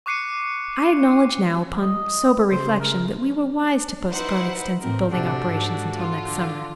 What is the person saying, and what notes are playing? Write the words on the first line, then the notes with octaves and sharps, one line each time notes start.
I acknowledge now, upon sober reflection, that we were wise to postpone extensive building operations until next summer.
C#6 D6 F#6 C7 C#7 D#7
D#5
C#3 C5
A#4
D#4 E4 B4 C5 F#5
A2 C4 A#4
C3 D4 F#4 G4 A4
G#2
F4
D3